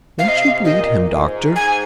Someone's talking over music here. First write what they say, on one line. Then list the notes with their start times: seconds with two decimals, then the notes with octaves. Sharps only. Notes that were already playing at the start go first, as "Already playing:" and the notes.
Won't you bleed him, doctor?
0.19 C3 F5
0.28 D#5
0.38 F5
0.65 A#2 D#5
1.10 G#2
1.56 G#5